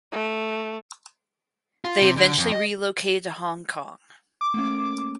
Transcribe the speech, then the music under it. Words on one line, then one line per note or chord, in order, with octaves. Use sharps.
They eventually relocated to Hong Kong.
A3
F4
C3
D3
F2
D#5
D6
A3 A#3 C#4